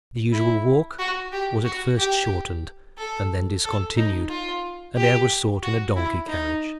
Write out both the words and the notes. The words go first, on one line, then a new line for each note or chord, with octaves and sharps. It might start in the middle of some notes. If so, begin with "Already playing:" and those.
The usual walk was at first shortened, and then discontinued; and air was sought in a donkey-carriage.
E4
F#4
G4
F#4
G4
A4
A4
D#4
F4
G4
F#4
E4
D#4